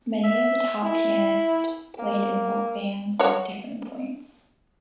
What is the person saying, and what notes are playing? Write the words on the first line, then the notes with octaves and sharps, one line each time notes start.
Many of the top pianists played in both bands at different points.
E5
E4
A#3
F#4 C#5